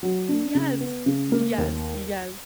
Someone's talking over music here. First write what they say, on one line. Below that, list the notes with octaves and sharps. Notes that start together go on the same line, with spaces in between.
Yes, yes, yes.
F#3
D4
C#3
B3
C#3
A#3
D#2